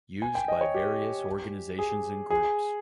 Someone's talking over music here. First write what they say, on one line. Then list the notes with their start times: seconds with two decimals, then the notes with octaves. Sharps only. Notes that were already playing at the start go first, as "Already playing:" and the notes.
Used by various organizations and groups.
0.22 G#5
0.35 G5
0.48 D#5
0.61 C#5
0.74 G4
1.79 G#4
2.30 G#4